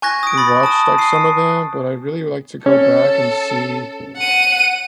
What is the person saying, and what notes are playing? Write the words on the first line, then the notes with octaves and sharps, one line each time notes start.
re-watched, like, some of them, but I'd really like to go back and see
G#5 C#6 F#6 G#6 A#6
D#6 D7
B5 A6
A5 D#6
D#6 C7 D#7
C#4 A4
F#5 D#7